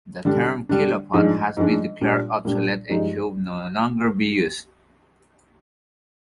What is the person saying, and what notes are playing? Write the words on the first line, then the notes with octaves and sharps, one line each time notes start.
The term "kilopond" has been declared obsolete and should no longer be used.
D3 G3 D4
D3 G3 D4
G#2 F3 G#3 D4
G#2 F3 G#3 D4
A#2 G3 D4
A#2 G3 D4
G2 F3 G#3 D#4